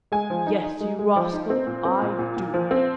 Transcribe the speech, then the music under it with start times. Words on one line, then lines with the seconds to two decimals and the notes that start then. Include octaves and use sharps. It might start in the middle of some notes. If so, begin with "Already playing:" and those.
"Yes, you rascal, I do."
0.12 G#3 G#5
0.30 F3
0.47 D#4
0.63 D#4
0.81 G#3
0.99 G#3
1.16 F3
1.33 D#4
1.50 C4
1.67 A#2
1.85 C4
2.02 A#2
2.19 A#2
2.37 A#2
2.54 F3
2.71 C4